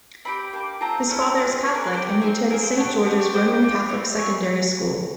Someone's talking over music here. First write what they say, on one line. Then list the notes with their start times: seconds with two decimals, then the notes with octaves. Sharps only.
His father is Catholic, and he attended Saint George's Roman Catholic Secondary School.
0.25 C4 E4 G4 B5
0.53 A#3 D4 G4
0.81 C4 F4 A4 A#5
1.09 A3 C#4 E4 A4
1.37 A#3 D4 F4 G#4 F#5
1.51 D#5
1.65 B3 E4 G#4 A4
1.75 A#4
1.84 B4
1.93 D4 G4 C5
2.21 C4 D#4 G#4 C5
2.50 C4 F4 G#4 A#4
2.63 C5
2.77 B3 D4 G4 C#5
3.05 B3 D4 G4 C5
3.20 C#5
3.33 D4 G4 C5
3.61 D4 F4 G#4
3.89 A3 C4 E4 C#5
4.17 C4 F4 G#4 C#5